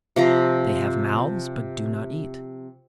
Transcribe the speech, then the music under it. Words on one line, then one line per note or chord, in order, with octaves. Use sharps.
They have mouths, but do not eat.
C3 F3 A#5